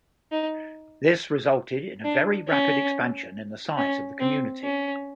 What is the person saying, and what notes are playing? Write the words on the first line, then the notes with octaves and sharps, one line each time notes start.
This resulted in a very rapid expansion in the size of the community.
D#4
D4
C#4
C#4
C4
C#4